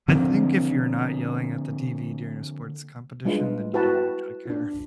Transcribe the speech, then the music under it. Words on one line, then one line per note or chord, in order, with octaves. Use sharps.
I think if you're not yelling at the TV during a sports competition, then you don't actually care.
D3 F3 A#3 C4
G3 G#3 D4 F4 B4 D#5
E4 F#4 B4 G5 A5
D4 F4